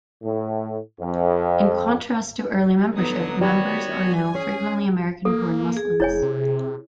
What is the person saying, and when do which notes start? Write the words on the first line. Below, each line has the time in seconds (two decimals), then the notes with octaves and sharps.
In contrast to early membership, members are now frequently American-born Muslims.
0.23 A2
1.00 F2
2.96 D3 F#3 B3 D#4 D#6
3.41 D#3 G3 B3 F#4 C#5
3.99 G#5
4.35 C#4 G#4
5.25 A#3 A4
5.77 G#4
6.00 F1 E4 C#5 G#5
6.23 C3